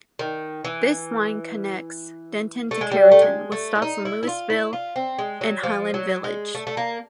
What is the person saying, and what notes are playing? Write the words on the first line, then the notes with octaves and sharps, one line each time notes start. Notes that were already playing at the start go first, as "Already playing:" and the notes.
This line connects Denton to Carrollton, with stops in Lewisville and Highland Village.
D#3
E3
A3
G#3
G3
A3
G#3
A3
E4
D#4
E4
E4
F4
E4
F4
C4
G#3
F#3
F3
F#3
G#3
A3
A3
A#3